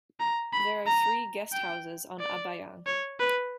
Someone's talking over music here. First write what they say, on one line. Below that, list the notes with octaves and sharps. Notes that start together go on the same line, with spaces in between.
There are three guesthouses on Abaiang.
A#5
B5
A#5
G5
D5
C#5
B4